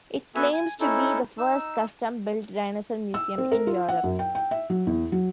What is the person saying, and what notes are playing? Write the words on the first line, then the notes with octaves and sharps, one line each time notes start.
It claims to be the first custom-built dinosaur museum in Europe.
B3 F#4 A4 E5 F#5 G#5
G#5
C#4 D#4 E4 A4
D#4 E6
E6
C4
A#4
F4
F#5
F#2
G5
G5
E5
F#3
E2
F#3